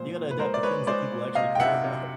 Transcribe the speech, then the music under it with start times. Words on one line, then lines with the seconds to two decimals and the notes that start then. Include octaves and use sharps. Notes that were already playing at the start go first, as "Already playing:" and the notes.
you gotta adapt the things that people actually care about.
Already playing: A#2 F3 G#3 C5
0.16 A#2
0.31 B4
0.39 G#3 A#4 C5
0.54 D5
0.63 G#3 B4 C#5
0.87 G#3 C5 D5
1.11 A#2
1.35 C3 D#5 F5
1.55 G5
1.60 C3 E5 F#5
1.84 C3